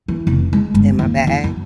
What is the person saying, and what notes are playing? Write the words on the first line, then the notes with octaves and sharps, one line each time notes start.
in my bag,
E3
F1
G#3
G1
D#2
F2
F#2